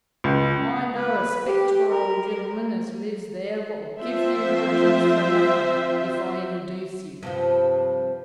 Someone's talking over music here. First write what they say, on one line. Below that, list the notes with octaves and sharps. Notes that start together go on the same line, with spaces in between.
"I know a 'spectable old genelman as lives there wot'll give you lodgings for nothing if I interduce you."
C#2
B4
G4
A#4
F3 C4 F4 C5 E5
G2 C3 F3